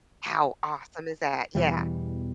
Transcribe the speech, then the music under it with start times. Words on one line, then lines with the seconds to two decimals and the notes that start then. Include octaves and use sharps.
How awesome is that, yeah.
1.55 E2 B2 E3 G3